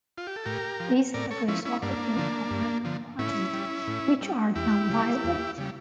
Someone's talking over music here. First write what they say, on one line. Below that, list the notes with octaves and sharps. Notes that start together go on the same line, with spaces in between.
These have resulted in albino progeny, which are non-viable.
F4
G4
A4
A2 G4 A#4
F3
A2 A#4 D5
A4 C#5
F3 C#4 E4
C#4 E4
G2 A#3 D4
D3 F3
G2
D3 F3
A2 C#4 E4
G3
A2
G3
E2 E4 G4
C#3 G3
E2
C#3 G3